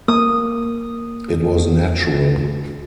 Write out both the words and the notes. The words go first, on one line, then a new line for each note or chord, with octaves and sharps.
It was natural.
A#3 D#6